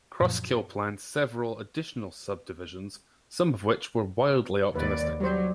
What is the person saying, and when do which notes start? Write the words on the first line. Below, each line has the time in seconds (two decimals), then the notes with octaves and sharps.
Crosskill planned several additional subdivisions, some of which were wildly optimistic.
0.20 F#2 A#2 F3 F#3
4.75 D#2 B4 D5
5.20 F#3 G3 C5